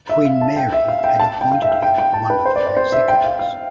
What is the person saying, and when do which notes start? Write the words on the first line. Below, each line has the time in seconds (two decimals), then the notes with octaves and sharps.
Queen Mary had appointed him one of her executors.
0.09 E5
0.25 F5
0.41 A5
0.56 G5
0.72 E5
0.88 F5
1.04 G5
1.20 A5
1.41 G5
1.52 F5
1.62 E5
1.72 F5
1.82 G5
1.98 G5
2.13 A5
2.30 B4
2.46 C5
2.56 D5
2.67 D5
2.77 C5
2.92 E5
3.08 G5
3.24 F5
3.39 F5